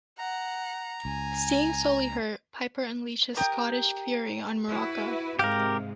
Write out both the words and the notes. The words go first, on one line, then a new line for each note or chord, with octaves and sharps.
Seeing Solie hurt, Piper unleashed his Scottish fury on Muraco.
F#5 A#5
C#2 G#5
G4 A#4 D#6
E4 F#4 B4
G#2 C3 G#3 G4 A#4 F5